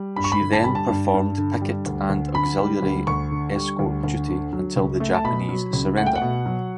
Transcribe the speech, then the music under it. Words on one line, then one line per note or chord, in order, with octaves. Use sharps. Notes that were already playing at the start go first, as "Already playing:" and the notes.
She then performed picket and auxiliary escort duty until the Japanese surrender.
Already playing: G3
G2 B5
C#6
B5
D3
A5
G3 B5
A5
G2
G2
D3
G3
D2
D2
D3 B5
G3
D2
D2 C#6
D3
G3
D2
D2
D3
F#3
C#2
A3
A5
B2 B5
F#3
C#2
A3 F#5
G5
F#5
B2
F#3